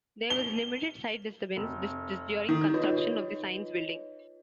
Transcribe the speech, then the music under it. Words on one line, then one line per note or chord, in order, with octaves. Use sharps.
There was limited site disturbance during construction of the science building.
G7
F1
D#3
D#4 F4 B4 C#5 D#5